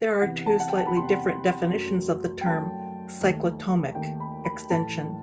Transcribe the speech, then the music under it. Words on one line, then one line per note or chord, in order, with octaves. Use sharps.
There are two slightly different definitions of the term cyclotomic extension.
E2 C3 E3 F#5
A5
F#5
G5
A5
B5
E2 C3 E3 C6
F#2 F#3 A3
G5
F#2 F#3 A3 A5
D#2 D#3 A3
D#2 D#3 A3 G5
B5
B5
A2 E3 A3 A5